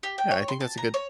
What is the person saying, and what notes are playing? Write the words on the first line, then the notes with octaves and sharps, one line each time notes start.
Yeah, I think that's a good
G4
G5
C#5
C6
A5
A#5
C#5